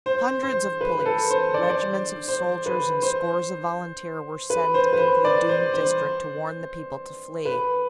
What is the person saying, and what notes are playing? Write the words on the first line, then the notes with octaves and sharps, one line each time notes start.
Hundreds of police, regiments of soldiers and scores of volunteers were sent into the doomed district to warn the people to flee.
C5
C5
B4
B4
A4
C5
D5
C5
D5
C5
B4
C5
B4
C5
B4
C5
D5
C5
C5
B4